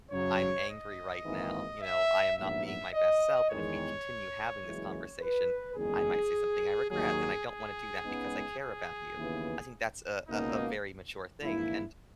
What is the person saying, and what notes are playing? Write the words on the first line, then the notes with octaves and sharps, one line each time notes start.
I'm angry right now," you know, "I am not being my best self, and if we continue having this conversation, I might say something I regret, and I don't wanna do that because I care about you." I think that's a a a very mature thing and,
F#2 C#3 F#3 C#5
D#5
G#1 G#2 E3 A#3 D#4
E5
A#1 G#2 F#3 B3 E5
E5
D#5
E2 D#3 G#3 C#5
F#1 F#2 E3 G#3
B4
F#1 E2 D#3 G#3 G#4
D#2 D#3 F#3 G#4
G#4
C#2 C#3 G#3 B3 D#4
G#4
D#2 C#3 E3 B3
C#2 B2 A#3 D#4
A#1 G#2 E3 A#3 E4